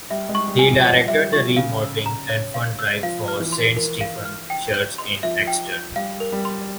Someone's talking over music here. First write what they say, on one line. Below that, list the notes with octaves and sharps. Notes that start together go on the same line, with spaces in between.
He directed the Remodeling and Fund Drive for Saint Stephen Church in Exter.
G3 E5
G#3
C#6
G3
G#5
F3
F3 C#5
G3 E5
F3 C#6
C#3 F5
E6
A#5
C#5
F5
E6
F3 F5
F6
E3
C6
E3 A#4
F5
F6
G5
G6
C6
F3 E5
G5
G6
G3 F5
A#4
G3
C6